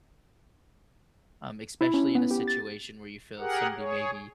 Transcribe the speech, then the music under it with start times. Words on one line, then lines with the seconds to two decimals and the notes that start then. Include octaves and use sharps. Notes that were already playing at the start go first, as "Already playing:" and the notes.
Um, especially in a situation where you feel somebody may be
1.81 E4
1.94 C#4
2.15 B3
2.31 G4
2.48 A6
3.39 G4 G#4 A#4 F#5
3.78 G#4 C#5